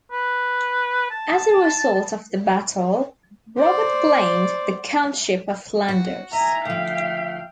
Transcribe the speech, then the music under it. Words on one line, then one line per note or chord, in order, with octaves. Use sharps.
As a result of the battle Robert claimed the countship of Flanders.
B4
A5
C5 D5
F#4
D#5 E5 G#5 A#5
D2 F3 F5 G5